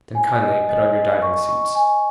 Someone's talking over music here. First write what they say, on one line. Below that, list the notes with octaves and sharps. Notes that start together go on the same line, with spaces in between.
"Then kindly put on your diving suits."
G#5
D#5
D#5
D#5
C#6
C#6
G#5